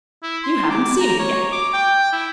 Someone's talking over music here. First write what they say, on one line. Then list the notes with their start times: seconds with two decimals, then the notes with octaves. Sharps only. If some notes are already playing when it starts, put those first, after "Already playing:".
You haven't seen it yet.
0.23 E4
0.43 C6
0.70 D6
1.00 A#5
1.19 C#5
1.52 D6
1.73 G5
2.12 E4